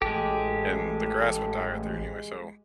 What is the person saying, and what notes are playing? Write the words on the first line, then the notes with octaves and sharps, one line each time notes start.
and the grass would die out there anyway so
A1 G#3 G4 A4